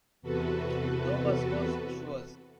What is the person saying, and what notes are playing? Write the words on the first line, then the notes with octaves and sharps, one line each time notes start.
No, but suppose she was.
E2 C3 F#4 A4 B4